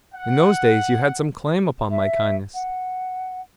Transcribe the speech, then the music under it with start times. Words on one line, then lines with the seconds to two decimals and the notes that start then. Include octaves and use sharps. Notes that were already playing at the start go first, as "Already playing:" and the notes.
In those days you had some claim upon my kindness.
0.15 F#5
1.91 E5
2.54 F#5